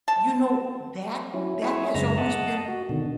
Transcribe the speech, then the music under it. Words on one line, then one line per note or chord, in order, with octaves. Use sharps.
You know, that that has always been
A5
F#3 C#4 E4
E4 G#4 C#5 E5
F#2 C#3 G#3 E5 A#5
D#5 F#5 A5
F#4
B2 D3 D#3